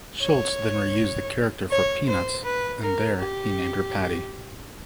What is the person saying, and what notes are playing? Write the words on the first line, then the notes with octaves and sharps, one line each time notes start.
Schulz then reused the character for "Peanuts," and there, he named her Patty.
C#5
C#5
C5
B4
A#4
G4